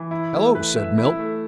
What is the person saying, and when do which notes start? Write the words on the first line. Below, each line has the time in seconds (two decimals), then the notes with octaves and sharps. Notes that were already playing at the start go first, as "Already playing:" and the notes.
"Hello!" said Milt.
Already playing: E3
0.11 E4
0.33 A3
0.55 B4
0.76 E5
0.98 E4
1.19 A3